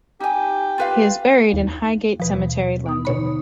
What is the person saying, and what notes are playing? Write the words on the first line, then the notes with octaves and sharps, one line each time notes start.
He is buried in Highgate Cemetery, London.
D#4 G4 G#5
F4 B4 F5
D#2
D#2 B2 E3 F3 B4
B3 D#4 D#6
B2 D3 C#5 B5